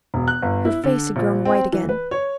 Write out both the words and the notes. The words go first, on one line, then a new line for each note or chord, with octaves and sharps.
Her face had grown white again.
E1
F#6
G1
E4
D3
A#1
C4
E3
B4
C#5